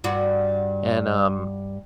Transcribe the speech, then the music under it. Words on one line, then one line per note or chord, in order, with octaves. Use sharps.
and, um,
G2 F#4